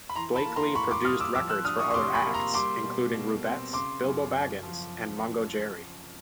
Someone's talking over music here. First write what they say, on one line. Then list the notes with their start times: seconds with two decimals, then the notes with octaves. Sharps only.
Blakley produced records for other acts, including the Rubettes, Bilbo Baggins and Mungo Jerry.
0.09 B5
0.16 E3 A#5 C6
0.36 A5 B5
0.45 A#3
0.56 A#5 C6
0.75 A2 B5 C#6
0.91 C6 D6
1.05 G3 D#6 F6
1.20 D6 E6
1.35 F3 D6 E6
1.49 E6 F#6
1.65 D4 D#6 F6
1.79 C#6 D#6
1.91 C#6
1.94 C3 C6 D6
2.14 B5 C#6
2.25 A#3
2.34 A#5 C6
2.54 G3 C6 D6
2.83 B2
3.14 B2
3.44 C4
3.73 C#3 C6 D6
4.03 F#2
4.33 F#2
4.63 F3